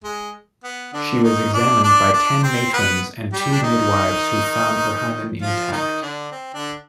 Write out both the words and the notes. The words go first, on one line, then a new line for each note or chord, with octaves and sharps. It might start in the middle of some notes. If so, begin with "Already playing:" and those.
She was examined by ten matrons and two midwives who found her hymen intact.
G#3
B3
D3 D4
D#3 D#4
D4 D5
D4 D5
D4 D5
C4 C5
B3 B4
G3 G4
D4
D#3 D#4
F3 F4
D#3 D#4
D3 D4
C4
D3 D4